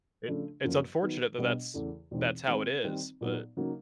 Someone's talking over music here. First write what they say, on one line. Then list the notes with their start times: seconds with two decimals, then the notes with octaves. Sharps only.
it it's unfortunate that that's that's how it is, but
0.28 C#3 F3 A3 D4
0.64 F#2 C#3 F3 A#3
1.02 D#3 F#3 B3 D#4
1.38 B2 G3 B3 D4
1.74 E2 C#3 E3 A3
2.11 E2 B2 G#3 C4 D#4
2.47 D#3 G#3 C4
2.83 D#3 G3 C4 D#4
3.21 A#2 F#3 B3 D#4
3.57 C#3 F#3 A#3 D#4